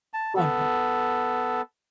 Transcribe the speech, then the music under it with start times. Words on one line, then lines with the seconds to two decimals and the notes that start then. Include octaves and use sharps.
Go on ahead.
0.14 A5
0.36 B3 A4